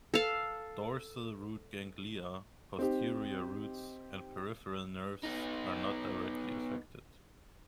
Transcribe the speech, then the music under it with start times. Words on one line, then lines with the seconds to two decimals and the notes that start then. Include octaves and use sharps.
Dorsal root ganglia, posterior roots and peripheral nerves are not directly affected.
0.14 A4 F5
2.79 C4 D#4 G4
5.23 B3 D#4